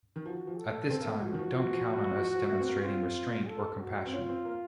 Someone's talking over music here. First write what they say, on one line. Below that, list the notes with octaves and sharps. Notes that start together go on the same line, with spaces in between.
At this time, don't count on us demonstrating restraint or compassion.
D#3
F3 F#4
F3
A4
C4 A4
A#3
A3
F3 F#4
D#3
F3
F3
F3
F3
F#3
F3
F3
A3
C4
A#3
C4 F4
A4
F#4
C4
C#4 F4
C4
A#3